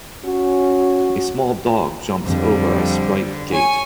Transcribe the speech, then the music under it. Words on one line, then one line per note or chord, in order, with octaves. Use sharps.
A small dog jumps over a striped gate.
C#4 F#4
F2 D3 G3
C#5 G#5